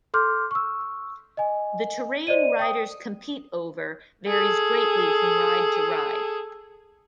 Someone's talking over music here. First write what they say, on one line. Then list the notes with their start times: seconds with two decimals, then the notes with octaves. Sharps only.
The terrain riders compete over varies greatly from ride to ride.
0.14 A4 C6 D6 F6 G6
0.51 C#6 E6
1.37 D#5 G#5
2.27 C5 D5 D#5 D#7
2.59 G5 D#6
4.28 G#4 A4